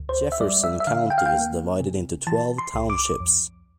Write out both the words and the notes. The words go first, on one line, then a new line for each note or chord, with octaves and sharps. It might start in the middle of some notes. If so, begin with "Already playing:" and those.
Jefferson County is divided into twelve townships.
Already playing: D2
C5
E5
G3 D5
E5
E5
D3 F5
G5
F5
G5
A#3
C3
E3 A5
C6
C2
D6
F2